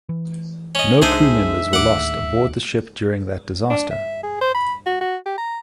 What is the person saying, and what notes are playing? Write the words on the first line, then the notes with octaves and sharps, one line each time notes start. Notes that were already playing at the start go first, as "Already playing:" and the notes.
No crew members were lost aboard the ship during that disaster.
E3
C#4 D#5
C2 G#3 D4 D#4 G#4 C5 E5 G#5
D1 D#2 A3 F#5 D6
D4
E5
G#4
C5
B5
F#4
F#4
G4
A#5